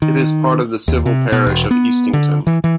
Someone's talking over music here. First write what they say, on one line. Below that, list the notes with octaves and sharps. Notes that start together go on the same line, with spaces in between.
It is part of the civil parish of Eastington.
D#3
D#2
C3
B2
E1
B3
D3
E3
E3